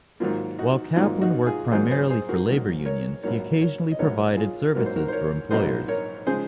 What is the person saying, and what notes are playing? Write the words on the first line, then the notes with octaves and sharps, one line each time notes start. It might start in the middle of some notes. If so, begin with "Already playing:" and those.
While Kaplan worked primarily for labor unions, he occasionally provided services for employers.
G#2 D#3 F#3 A#3 F4
D#4 F#4
G#2 D#3 F#3 A#3 F4
D#4 F#4
F4 G#4
G#2 D#3 F#3 A#3 G#4 C5
G#4 C5
G#4 C5
F#4 A#4
G#2 D#3 F#3 A#3
A#4 C#5
A#1 G#2 F#3 A#3 A#4 C#5
A#4 C#5
D#5
A#1 G#2 F#3 A#3 A#4 C#5
F4 G#4
A#1 G#2 F#3 A#3 A#4
C5
F#4 A#4
C5
A#4 C#5
A#1 G#2 F#3 A#3 C5 D#5
A#4 C#5
C#3 F3 G#3 G#4 C5